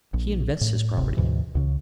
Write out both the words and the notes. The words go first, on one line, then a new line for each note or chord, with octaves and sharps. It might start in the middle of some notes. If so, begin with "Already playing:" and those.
He invests his property.
A#1
A2
D1 G#1 C3
D2 G#2 B2 E3
C#2 C#3